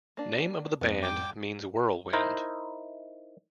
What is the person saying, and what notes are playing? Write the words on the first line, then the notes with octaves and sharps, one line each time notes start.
Name of the band means "whirlwind".
A#3 D4
F2 B3
G3 G5 D6
D#4 E4 A#4 C5